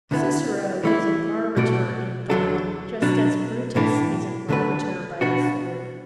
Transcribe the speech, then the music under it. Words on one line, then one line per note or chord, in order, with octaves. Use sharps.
Cicero is an arbiter in thought, just as Brutus is an arbiter by the sword.
D2 D3 B3 E4
E3 A3 E4
B2 A3 F#4 D5
E2 D3 F#3 D4 A4
B2 F#3 D4
B1 A2 E3 D4
D2 D3 A3 D4 B4
B2 B3 D4 F#4